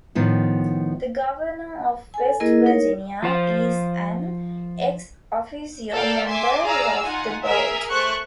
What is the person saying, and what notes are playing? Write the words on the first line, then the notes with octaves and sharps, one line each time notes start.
The Governor of West Virginia is an Ex-officio member of the board.
A2 D#3 F3 B3
A4 G#5
A#3 E4 G#4 A#4 D#5
D#4 A#4 C#5
F3 F4 C5
A4 A#4 D5 F5 G5
E5 G#5 C6 D6
G#4 D5 F5 A#5 E6
D#4 F4 F#5 G#5
G#4 A#4 E5
A3 C5 C#6 F#6 C#7